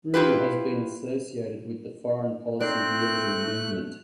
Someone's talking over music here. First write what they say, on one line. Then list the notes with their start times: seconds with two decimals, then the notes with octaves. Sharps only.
Ruger has been associated with the foreign policy realism movement.
0.14 E4 F4 G4 B4
2.60 A3 C4 D#4 D5 F#6